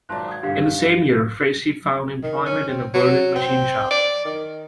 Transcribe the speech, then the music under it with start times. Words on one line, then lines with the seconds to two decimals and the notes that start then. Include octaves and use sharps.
In the same year Fritsche found employment in a Berlin machine shop.
0.09 G#1 F#3 D5 A5 C6 F#6
0.28 D#6 G#6
0.43 G#1 G2 D3 G4 F5
2.23 D#3
2.46 C#4
2.68 C4
2.94 F#3
3.35 C4
3.91 D5
4.25 D#3